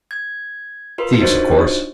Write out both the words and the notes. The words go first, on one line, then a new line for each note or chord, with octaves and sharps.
Thieves, of course.
G#6
F4 A#4 B4 C6
D4 D#4 F4 F#4 C5 C#5